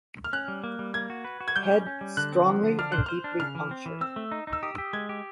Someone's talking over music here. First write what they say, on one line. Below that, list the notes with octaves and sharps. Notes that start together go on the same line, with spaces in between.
Head strongly and deeply punctured.
F6
C#4 F#6
G3
A#3
G3
A#3 G#6
F#4
B4
F#4
G#6
G3 G6
C#4
C#4
G3
D3 F#6
C4
F3
D3
D4 F6
C5 F#6
C5 F6
D4
C#3 F6
E3
C4
E3
C4 E6
A3
D#4
D#4
E6
G4 D#6
G4
G#3 G#6
G4